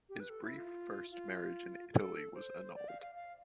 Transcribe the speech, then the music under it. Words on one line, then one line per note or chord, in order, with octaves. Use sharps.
His brief first marriage in Italy was annulled.
G4
B4
A4
E4
F4
F4
A4
C5
D5
F5
F5
F5